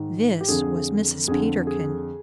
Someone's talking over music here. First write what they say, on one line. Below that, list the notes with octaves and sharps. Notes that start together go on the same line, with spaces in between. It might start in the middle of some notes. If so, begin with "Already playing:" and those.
THIS was Mrs. Peterkin.
Already playing: G#2 D#3
G4
F2 D3 G#4
F2 D3 G#4
G#4